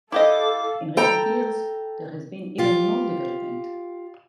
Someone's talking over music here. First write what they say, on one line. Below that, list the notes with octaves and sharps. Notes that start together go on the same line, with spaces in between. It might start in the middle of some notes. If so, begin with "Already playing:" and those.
In recent years there has been even more development.
E4 G4 A4 D#5 F5 D6
A4 G5 A#5
F4 G4